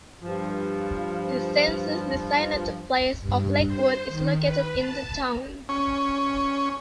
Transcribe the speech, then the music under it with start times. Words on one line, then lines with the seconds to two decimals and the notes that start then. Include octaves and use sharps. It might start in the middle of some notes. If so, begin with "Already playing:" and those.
The census-designated place of Lakewood is located in the town.
0.23 G2 F3
3.20 G2
3.65 C5
4.08 D#3
4.39 B4
4.75 A5
5.69 C#4